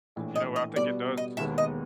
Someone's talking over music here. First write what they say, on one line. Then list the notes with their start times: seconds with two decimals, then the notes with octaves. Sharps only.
you know, I think it does s
0.16 A#1 A2 E3
0.36 D#5
0.56 D#5
0.76 B2 G3 B3 D5
1.17 D#5
1.37 E1 D#2 D#3 G#3 B3 E5
1.58 D#5